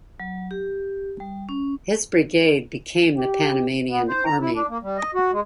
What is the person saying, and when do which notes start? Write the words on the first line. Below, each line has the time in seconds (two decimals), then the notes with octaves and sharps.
His brigade became the Panamanian army.
0.20 F#3
0.51 G4
1.20 G3
1.49 C#4
3.17 G4
3.90 B3
4.08 C5
4.26 A#5
4.41 E4
4.55 D4
4.69 A#3
4.83 G3
4.98 D#5
5.15 F#4
5.32 G#3